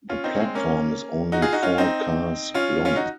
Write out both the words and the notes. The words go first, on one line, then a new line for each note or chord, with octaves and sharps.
The platform is only four cars long.
C#4 F4
C4 D#4
C#4
G#3 C4
A#3 C#4
D#4 F#4
F4 G#4
D#4 F#4
C#4 F4
C4 D#4
C#4 F4
C#4 F4
D#4 F#4